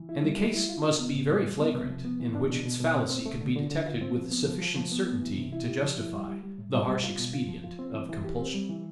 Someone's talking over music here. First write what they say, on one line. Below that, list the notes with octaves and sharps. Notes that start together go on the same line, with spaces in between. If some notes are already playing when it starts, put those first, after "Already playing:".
And the case must be very flagrant in which its fallacy could be detected with sufficient certainty to justify the harsh expedient of compulsion.
Already playing: E3
E4
G3
G3
E4
F4
D4
B3
A2
A2
G3
B3
C3
F3
B3
E3
D4
B2
B2
B2
C4
C4
A3
D3
D3
D3
F4
C4
F3
B3
F3
F3
F3
B3
B3
E3
C3
E4
G4
F3
E4
G3
G3
G3
A2
G3
G3
F4
B2
F4
F3
F4
C4
E3
E3
G4
C4
G3
E3